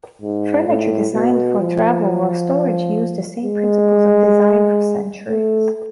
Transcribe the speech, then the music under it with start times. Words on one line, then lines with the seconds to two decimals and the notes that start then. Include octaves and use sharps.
Furniture designed for travel or storage used the same principles of design for centuries.
0.22 G#2
0.67 A2
1.14 B2
1.60 F3
2.06 F3
3.45 G#3
5.29 A3